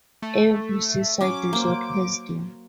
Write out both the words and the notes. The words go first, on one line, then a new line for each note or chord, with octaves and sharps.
Every seaside resort has them.
A3
F#3 C#4 D6
A#3 C5